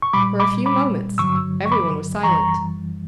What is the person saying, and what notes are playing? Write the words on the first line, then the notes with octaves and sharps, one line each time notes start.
For a few moments every one was silent.
C#6
A#2 G3 B5 D6
B5 D6
B5 D6
G2 D3 F#3 C#6 E6
C#6
B5 D6
F#2 E3 G3 A#5 C#6